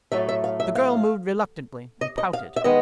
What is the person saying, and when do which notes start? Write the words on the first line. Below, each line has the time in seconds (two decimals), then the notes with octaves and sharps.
The girl moved reluctantly, and pouted.
0.12 A2 F#3 A3 E5
0.29 E5
0.44 F5
0.60 E5
0.75 F5
2.01 D#5
2.18 D#5
2.33 F5
2.56 E5
2.64 D#3 G#3 B3 D#5